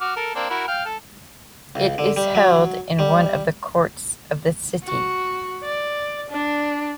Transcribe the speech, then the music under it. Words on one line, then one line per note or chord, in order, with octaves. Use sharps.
It is held in one of the courts of the city.
F#4 D6 F6
A4 A#4
A#3 C4 D4
E4 F#4 A#4
F5 G5 F6
A4
C#2
D3
G3
F#3
G3
F#4
D5
D4